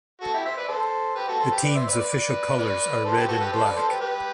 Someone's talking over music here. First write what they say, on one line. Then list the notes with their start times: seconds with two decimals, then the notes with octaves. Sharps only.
The team's official colors are red and black.
0.21 F#4 A4
0.34 E4 G4
0.45 C5 E5
0.57 B4 D5
0.68 A4 C5
1.16 G4 B4
1.28 F#4 A4
1.40 A4 C5
1.51 G4 B4
1.63 B4 D5
1.75 C5 E5
1.87 B4 D5
2.00 B4 D5
2.11 B4 D5
2.58 B4 D5
3.05 A4 C5
3.17 G4 B4
3.28 F#4 A4
3.41 G4 B4
3.52 A4 C5
3.64 B4 D5
3.76 A4 C5
3.89 G4 B4
4.00 G4 B4